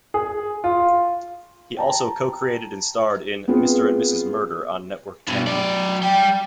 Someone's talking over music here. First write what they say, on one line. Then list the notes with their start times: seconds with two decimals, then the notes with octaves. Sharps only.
He also co-created and starred in "Mr and Mrs Murder" on Network Ten.
0.14 G#4
0.64 F4
1.77 G5 A5 A#5
3.48 B3 C4 F4 G#4 B4
5.28 G2 B2
5.47 F#3 D5
6.03 G3 G5